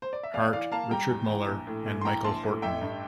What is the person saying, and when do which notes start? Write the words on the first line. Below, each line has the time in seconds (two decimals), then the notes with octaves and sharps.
Hart, Richard Muller, and Michael Horton.
0.02 C5
0.13 D5
0.23 E5
0.34 E2 D5 F5
0.52 E3 D5 F5
0.72 A#3 F5 A5
0.91 G3 G5 A#5
1.10 E2
1.29 E3
1.48 A#1
1.67 A2
1.86 A#1
2.01 C6
2.05 E3 G5 A#5
2.24 A#1 A5 C6
2.44 A2
2.62 A1 E5 G5
2.82 G2